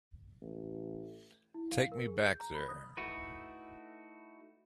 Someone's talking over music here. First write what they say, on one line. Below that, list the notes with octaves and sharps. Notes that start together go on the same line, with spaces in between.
Take me back there.
A1
E4
F5
A#4
G#4
G6
A#5
B5
D#6
A3 D#4 E4 F#4 B4